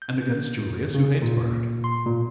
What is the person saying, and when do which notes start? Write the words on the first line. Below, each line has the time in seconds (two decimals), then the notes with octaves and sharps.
And against Julius, who hates Bernard.
0.02 G6
0.95 C#3
1.22 A#2
1.84 C6
2.06 A#2